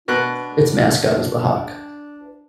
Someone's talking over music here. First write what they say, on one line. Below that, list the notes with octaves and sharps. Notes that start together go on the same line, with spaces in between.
Its mascot is the Hawk.
B2 D4 F#6